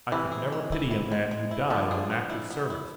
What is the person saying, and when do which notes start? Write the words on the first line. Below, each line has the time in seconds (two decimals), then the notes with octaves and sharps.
I could never pity a man who died on active service.
0.12 C3 E3 E4
0.32 G#4
0.52 G#3
0.72 E4
0.91 E4
1.12 G#3
1.31 G#3
1.51 E4
1.70 D3 F3 B3
1.91 G#4
2.10 B3
2.30 E4
2.50 B3
2.70 E4